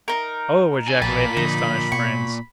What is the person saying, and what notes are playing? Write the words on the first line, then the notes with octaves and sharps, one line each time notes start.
"Oh!" ejaculated the astonished friends.
D#4 A#4
D3 G#5
A#1 A#2 A#3 G#5 A5 B5
D3 F3 D#4
B2 C#6